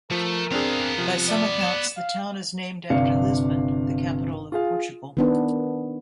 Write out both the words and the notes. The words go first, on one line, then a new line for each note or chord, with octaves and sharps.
By some accounts, the town is named after Lisbon, the capital of Portugal.
F3 A3 A#4
B3 C4 D4 G#4 F5
C3 F3
D5
E7
F5
G1 C3 D4 F5 C#7
F4 G#4 F5
D#3 B3 D4